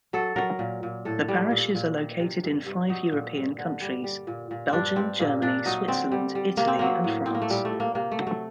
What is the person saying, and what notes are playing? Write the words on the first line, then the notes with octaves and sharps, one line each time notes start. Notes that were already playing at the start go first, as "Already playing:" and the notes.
The parishes are located in five European countries: Belgium, Germany, Switzerland, Italy and France.
F#3 A4
F#3 A#4
A#2
A#2
A2 A4
G3
A#2
A#2
D#3
C3
G2
G2
F#3 D#4
A#2
G2
D3
G3
G3
A#2
A#2
G2 C4 D4
G2 C4
A#2 A#3
A#2 D4
F#3 D#4
D3 C4
G3
G3
C3 A#3
C4
F#3 A#3
A2
A2 C4
A#3
A3
A#2 G3
A3
A#2
A#3
C3 A#3
A3
F#3
A3